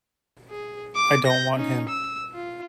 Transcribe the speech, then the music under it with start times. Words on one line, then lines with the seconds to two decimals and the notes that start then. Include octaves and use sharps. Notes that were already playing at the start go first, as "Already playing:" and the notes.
I don't want him.
0.50 G#4
0.95 D6
1.26 G6 A#6
1.56 C#4 D#4
1.89 E6
2.35 F4